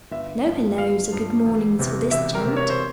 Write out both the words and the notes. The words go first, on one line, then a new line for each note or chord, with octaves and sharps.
No hellos or good mornings for this gent!
G1 E5
G2 F3
G1 F5
G2 F3
E1
E2 C3
E1 E5
A#4
E2 C3
C#5
C5